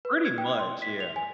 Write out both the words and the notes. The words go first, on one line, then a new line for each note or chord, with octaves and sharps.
pretty much, yeah.
B4
G#6
G5
C6
B6
F7
G#5